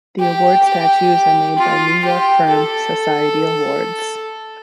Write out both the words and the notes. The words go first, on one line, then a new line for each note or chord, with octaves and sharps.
The award statues are made by New York firm, Society Awards.
G4
G4
F4
G4
A4